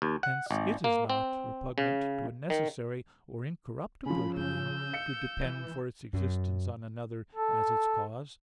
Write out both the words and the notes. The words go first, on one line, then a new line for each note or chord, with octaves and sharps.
Hence it is not repugnant to a necessary or incorruptible being to depend for its existence on another as its cause.
D#2
F#5
G#1
A#3
C4
C#3
D#3
C#3 F3 C#4 B5
E6 G6
F5 C#7
E3
F#2
A4